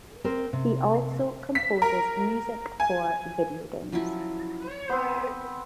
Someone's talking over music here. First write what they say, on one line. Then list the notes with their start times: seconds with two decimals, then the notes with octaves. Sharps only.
He also composes music for videogames.
0.24 C4 A#4 C5
0.53 C3
1.55 B6
1.82 A#4
2.80 G#5
3.92 F3 F#3 C#4 E4
4.89 B3 C4